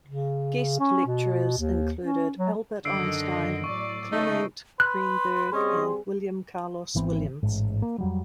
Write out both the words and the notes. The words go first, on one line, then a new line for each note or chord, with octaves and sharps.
Guest lecturers included Albert Einstein, Clement Greenberg, and William Carlos Williams.
C#3
C#4
B2
D#2
C#4
F#3
F#2 D3 D#3 D#5 E6 C7 D7
A2 F#3 D5 C#6
C#3 A3 D#4
B4 B5 C6 F#6
G3 C4 C#4 G#4 D#5
G#1 E3 B3 C4
A1 G#2
A#3
F2 F#3 G3